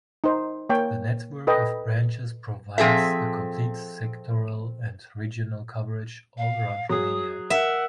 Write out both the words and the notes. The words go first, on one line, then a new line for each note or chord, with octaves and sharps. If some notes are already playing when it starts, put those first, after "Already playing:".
The network of branches provides a complete sectoral and regional coverage, all around Romania.
D#4 C5
A#3 C#5 G5
A4 B4 D#5 G5
F3 C4 G#4 A4 E5
F5
F#3 G#4 D#6
A#4 E5 F#5